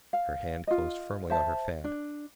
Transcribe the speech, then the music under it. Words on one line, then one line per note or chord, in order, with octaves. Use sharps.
Her hand closed firmly on her fan.
F5
F4 D#5
C5 E5 A5
D4